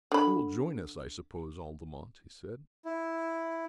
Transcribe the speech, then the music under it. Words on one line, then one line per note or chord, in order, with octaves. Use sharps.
"You will join us, I suppose, Altamont," he said.
D3 B5
E4